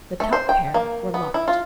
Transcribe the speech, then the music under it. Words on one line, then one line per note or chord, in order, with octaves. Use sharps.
The top pair were locked.
A3
C5
G5
A#3
B3
E4
F4